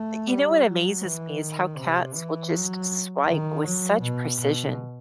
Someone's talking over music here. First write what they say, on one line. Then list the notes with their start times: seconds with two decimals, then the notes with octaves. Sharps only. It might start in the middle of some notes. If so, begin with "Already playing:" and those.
Y you know what amazes me is how cats will just swipe with such precision.
Already playing: A3
0.28 G3
0.64 F#3
1.02 E3
1.40 D#3
1.77 C3
2.14 E3
2.52 F#3
3.26 D#3
3.64 F#3
4.01 B2
4.39 B2